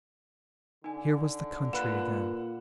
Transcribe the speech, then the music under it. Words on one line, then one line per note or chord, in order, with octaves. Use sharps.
Here was the country again.
D3 D#4 G#5
A#2 B4 F5 F#5 B5 F#6 E7